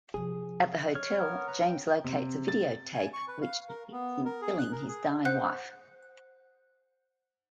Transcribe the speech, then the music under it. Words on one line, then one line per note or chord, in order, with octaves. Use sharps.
At the hotel, James locates a videotape which depicts him killing his dying wife.
C3 F3 G#4
C#5 F6
B3 A#4
B4 A#5
G5
C3
A6
G#5
C#6
B4
F5
A#4
B3
A#4
G#4
F#6
A#4
G#4
C5 F#5 F#6